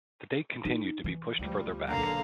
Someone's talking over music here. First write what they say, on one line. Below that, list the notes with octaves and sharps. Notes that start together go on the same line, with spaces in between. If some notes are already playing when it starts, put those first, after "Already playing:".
The date continued to be pushed further back.
D#4
E3
D2 F3 G3
B1 D3 A#3 F5